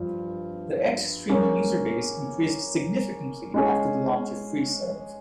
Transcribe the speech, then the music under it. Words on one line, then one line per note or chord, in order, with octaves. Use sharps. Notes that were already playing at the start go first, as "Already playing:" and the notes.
The X-Stream user base increased significantly after the launch of Freeserve.
Already playing: G2 F3
A#3 C#4 G#4
G#3 C#4 G#4